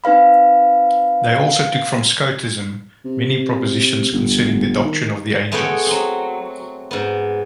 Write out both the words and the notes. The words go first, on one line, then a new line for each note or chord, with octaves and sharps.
They also took from Scotism many propositions concerning the doctrine of the angels.
C4 D#4 B4 F5 B5
C3
G1
D#3
G#3 A3 B3 F#4 C#5 G5
F#3 C4
G#2 B3